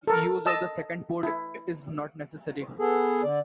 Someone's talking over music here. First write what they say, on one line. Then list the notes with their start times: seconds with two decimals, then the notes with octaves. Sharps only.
Use of the second port is not necessary.
0.07 A4 A#4
0.46 D#5 A5 E6
1.23 E4
2.79 B3 G#4 A4
3.23 D3 D5